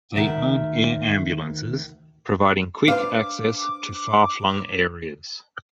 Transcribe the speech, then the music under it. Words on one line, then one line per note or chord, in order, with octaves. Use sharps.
They own air ambulances, providing quick access to far-flung areas.
D2 D#3 E5
D4 B4 C5 F5 D6